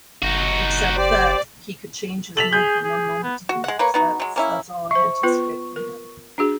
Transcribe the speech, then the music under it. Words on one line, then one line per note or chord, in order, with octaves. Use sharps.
except that he could change his mood from one moment to the next, that's that's all I anticipate from him.
F#1 D#4 F#4
G4 C5 D5
A4 B6 F7 F#7
G#4 G6
G#4
B3
F#4
G#3 F#5
A#3 B4 C#5
B3 D#4 F#4
F#3 G#3
A#3 C#4 E4
C5 E5 C#6
B3 F4 B4
A#4
D4 F#4 G#4